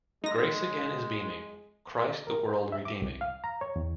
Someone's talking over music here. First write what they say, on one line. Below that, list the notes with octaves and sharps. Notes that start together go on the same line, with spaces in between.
Grace again is beaming; Christ the world redeeming.
G#3 D#4 A#6
A#4
B4
E5
D6
C2
F5
A#5
C#5
E2